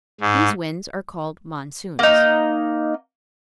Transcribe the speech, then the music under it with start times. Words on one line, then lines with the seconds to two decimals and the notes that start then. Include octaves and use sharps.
These winds are called "monsoons."
0.21 G#2
1.99 A#3 D#4